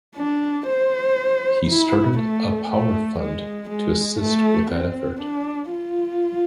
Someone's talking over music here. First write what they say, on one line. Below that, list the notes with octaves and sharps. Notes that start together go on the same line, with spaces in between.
He started a "power fund" to assist with that effort.
D4
C5
E4
A3
A3
G#3
G#3
A3
C4
D4
F4